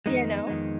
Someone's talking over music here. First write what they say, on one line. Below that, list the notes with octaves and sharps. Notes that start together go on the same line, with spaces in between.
You know?
F2 D#3 G#3 B3 D#4
F2 D#3 G#3